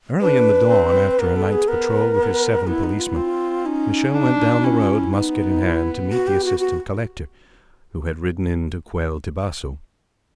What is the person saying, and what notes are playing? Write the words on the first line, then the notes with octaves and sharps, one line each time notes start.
Early in the dawn, after a night's patrol with his seven policemen, Michele went down the road, musket in hand, to meet the Assistant Collector, who had ridden in to quell Tibasu.
D4 B4
C4
B3 A#4
A4
G#4
B3 A#4
B3
B3 E4
D#4
F4
E4
C4 F4
C#4 D#4
D4
C#4 E4
F4
E4
B3 D#4
E4
F#4
G4
F#4
F#4